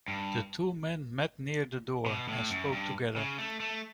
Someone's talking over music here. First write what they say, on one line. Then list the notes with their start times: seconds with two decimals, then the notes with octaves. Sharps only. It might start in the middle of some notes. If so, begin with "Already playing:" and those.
The two men met near the door, and spoke together.
0.08 G2
2.06 B2
2.28 A2
2.50 F#2
2.72 G2
3.16 C#3
3.38 A3
3.60 A3